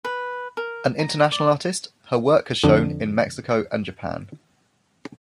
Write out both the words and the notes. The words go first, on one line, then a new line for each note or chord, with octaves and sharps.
An international artist, her work has shown in Mexico and Japan.
B4
A#4
A#5
D5
F2 D3 D4